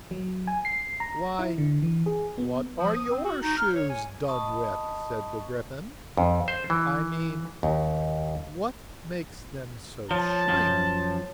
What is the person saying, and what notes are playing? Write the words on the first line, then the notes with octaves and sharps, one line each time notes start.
'Why, what are YOUR shoes done with?' said the Gryphon. 'I mean, what makes them so shiny?'
F#3
G#5
C7
A#5
E4
D3
E3
G#4
B3
F3
D#6
C4
F#4
D#4
F6
C#5
G#5
D#5 A5 B5 C#6 D#6
F2
C5
E3
D#2
F3 C#5 A5
F#2 F3